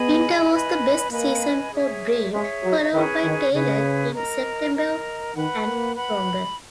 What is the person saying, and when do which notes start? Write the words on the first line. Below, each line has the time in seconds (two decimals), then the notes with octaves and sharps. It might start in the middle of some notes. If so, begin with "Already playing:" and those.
Winter was the best season for bream, followed by tailor in September and October.
Already playing: B3 G#4 D#5 G#5 B5
0.49 B4 D#5 G#5 B5
1.10 A#3 B4 D#5 G#5 B5
1.71 G#4 C#5 E5
2.31 G#3 G#4 C#5 E5
2.62 F#3
2.92 D#3 C#4 G#4 B4
3.23 D#3
3.53 C#3 C#4 G#4 B4
4.14 A#4 D#5 A#5
4.75 A#4 D#5 A#5
5.35 D#3 B4 F#5 B5
5.66 A#3
5.96 B4 F#5 B5